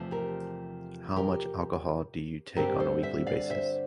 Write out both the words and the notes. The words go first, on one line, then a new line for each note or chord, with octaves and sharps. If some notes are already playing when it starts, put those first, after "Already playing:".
How much alcohol do you take on a weekly basis?
Already playing: E2 C3 F3 A3
G4 A#4
G4 A#4
G2 D3 G3 C4 G4 A#4
A4 C5
C5 E5
D5 F5
C5 E5